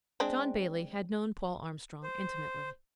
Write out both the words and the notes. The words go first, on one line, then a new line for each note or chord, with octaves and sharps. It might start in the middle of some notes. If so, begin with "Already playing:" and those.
John Bailey had known Paul Armstrong intimately.
G#3 C4 D4
C5